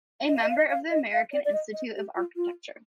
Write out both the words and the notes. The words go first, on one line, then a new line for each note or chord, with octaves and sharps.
A member of the American Institute of Architecture.
D#5
F5
D#5
F5
D#5
F5
D#5
F5
D5
D5
D#5
D#5
G4
F4
F4